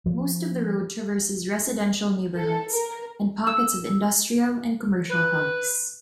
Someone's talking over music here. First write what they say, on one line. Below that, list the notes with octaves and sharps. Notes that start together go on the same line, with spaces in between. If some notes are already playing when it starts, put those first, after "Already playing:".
Most of the road traverses residential neighbourhoods and pockets of industrial and commercial hubs.
F3
A4
A#4
E6
B4